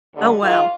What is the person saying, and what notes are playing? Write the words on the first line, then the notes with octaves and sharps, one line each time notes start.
Oh, wow.
D#2 D3 G3
G#2 D#3 G#3 F4